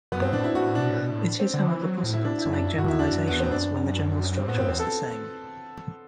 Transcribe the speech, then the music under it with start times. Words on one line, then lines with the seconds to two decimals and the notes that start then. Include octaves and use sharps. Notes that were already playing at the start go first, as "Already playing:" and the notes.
It is however possible to make generalizations when the general structure is the same.
0.12 F#2 B3
0.22 G2 C4
0.33 A2 D4
0.44 E4
0.55 A2 F#4
0.75 B2 D4
0.89 A2
0.97 B2
1.11 A2
1.39 C4
1.54 D3
1.67 E3
1.82 F#3
2.03 A2
2.13 E4
2.24 D4
2.39 E4
2.46 F#2
2.53 D4
2.67 E4
2.78 G2 F#4
2.88 E2 E4
2.99 E2 D4
3.09 F#2
3.27 E2 B3
3.40 C4
3.51 F#2 D4
4.37 G2 C4
4.47 A2 B3
4.58 G2 C4
4.68 E2 C4
4.79 A4